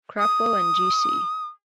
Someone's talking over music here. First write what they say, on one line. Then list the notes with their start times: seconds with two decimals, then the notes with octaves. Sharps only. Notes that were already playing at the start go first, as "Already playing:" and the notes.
Crapo and G.-C.
0.19 D#6